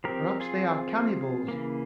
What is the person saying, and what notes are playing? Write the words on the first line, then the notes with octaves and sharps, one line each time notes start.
Perhaps they are cannibals!
F3 C4 G4 A#4
F4 G#4
C#3 E3 A#3